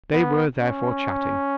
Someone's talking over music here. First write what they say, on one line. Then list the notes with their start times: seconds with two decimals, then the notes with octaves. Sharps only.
They were therefore chatting.
0.12 B3
0.57 C#4